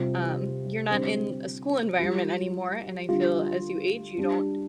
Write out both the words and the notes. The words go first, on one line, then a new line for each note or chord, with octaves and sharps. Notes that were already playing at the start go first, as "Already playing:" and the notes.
um, you're not in a school environment anymore, and I feel as you age you don't
Already playing: C3 G3 F4
D3 G3 C4
G3 F4
D3 G3 F4
G3 D4 G4